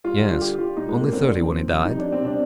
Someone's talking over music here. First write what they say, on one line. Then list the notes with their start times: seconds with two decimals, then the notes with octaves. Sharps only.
"Yes; only thirty when he died."
0.04 G3 F4
0.22 D3
0.31 F4
0.40 G3 G4
0.58 G3 F4
0.77 A#2 D#4
0.89 G#3
0.94 A#2
1.01 A#3
1.13 D3 C4
1.31 F3
1.49 F3
1.67 F3
1.85 G3 D#4
1.99 G3 D4
2.12 C4
2.21 C3 D4